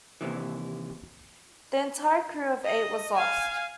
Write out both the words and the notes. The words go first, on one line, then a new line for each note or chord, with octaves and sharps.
The entire crew of eight was lost.
D#2 C3 E3
D#5
F5 G#5